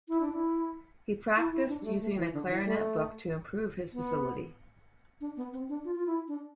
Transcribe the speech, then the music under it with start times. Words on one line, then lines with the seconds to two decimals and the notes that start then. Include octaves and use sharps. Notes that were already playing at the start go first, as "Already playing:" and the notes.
He practiced using a clarinet book to improve his facility.
0.09 E4
0.21 D4
0.33 E4
1.37 E4
1.53 E4
1.68 D4
1.81 G3
1.85 A3
2.01 A3
2.17 E3
2.33 D3
2.49 E3
2.65 A3
3.93 B3
5.21 D4
5.37 B3
5.53 C4
5.69 D4
5.85 F4
5.96 F4
6.06 E4
6.28 D4